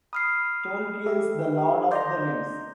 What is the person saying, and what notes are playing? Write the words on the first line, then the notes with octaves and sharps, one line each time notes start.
Tolkien's "The Lord of the Rings".
B5 D#6 F6 C7
G4 A4 E5
D5 D#5 A#5 C6 G6